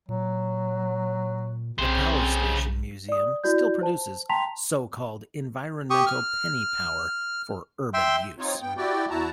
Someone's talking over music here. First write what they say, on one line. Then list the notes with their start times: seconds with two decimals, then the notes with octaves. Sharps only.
The Power Station Museum still produces so-called environmental penny power for urban use.
0.09 A#2 F#3
1.78 B1 C#3 C4 C5
3.09 D5 D#6
3.44 E4 F#4 D5 G6
3.81 C5 A5
4.29 G5 A5 A#5 C6 B6 F7
5.90 G4 C#6 D#6
6.07 F6
7.94 E5 G5 C6
8.38 C4 D#4 F4 C#5
8.62 G2 B3 G5
8.77 E4 F#4 G4 D5 G5
9.10 E2 E4 F#4 A5 A#5